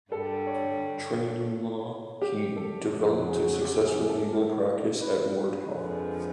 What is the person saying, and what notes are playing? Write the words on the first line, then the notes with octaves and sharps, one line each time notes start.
Trained in law, he developed a successful legal practice at Wardha.
G2 D3 G3 A4
C#5
G4
A4
F2 C#3 F#3
G#4
G4
G#4
A4
A#4
B4
F2 D3 F3 G#3